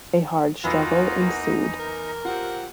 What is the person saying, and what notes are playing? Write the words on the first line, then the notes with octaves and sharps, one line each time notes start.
A hard struggle ensued.
E2 A#3 D#4 F4 F#4 B5 E6
A#4
F#3 C4 F4 G4 F#5